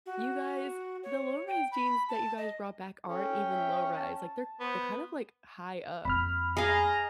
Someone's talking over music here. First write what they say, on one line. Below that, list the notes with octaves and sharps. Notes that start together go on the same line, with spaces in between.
"You guys, the low-rise jeans that you guys brought back aren't even low-rise, like, they're they're kind of like high up."
F#4
C#5
G5
B5
A5
D#5
C#4 A4 G5
E5
A5
B3 C5
F2 A#3 B5 F6
G#4 D#5 F5 A#5